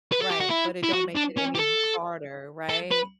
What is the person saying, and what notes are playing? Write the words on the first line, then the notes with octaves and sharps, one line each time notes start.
Right, but it don't make it any ha harder. Right?
B4
A4
G4
F#4
E4
E4
F#4
D4
C#4
G4
A4
A4
B4